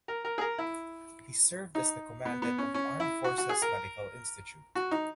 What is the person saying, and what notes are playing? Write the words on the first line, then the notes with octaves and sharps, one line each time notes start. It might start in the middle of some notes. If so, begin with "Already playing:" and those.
He served as the Commandant of Armed Forces Medical Institute.
A#4
A#4
G#4
A#4
E4
D#4
B3
B3
C#4
C#4
E4
F#4
F#4
G#4
A#4
F#4
D#4